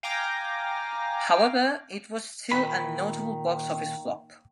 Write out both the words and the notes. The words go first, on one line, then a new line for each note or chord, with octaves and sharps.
However it was still a notable box office flop.
F5 G5 G#5 A#5 D6 A#6
A#2 D#3 B5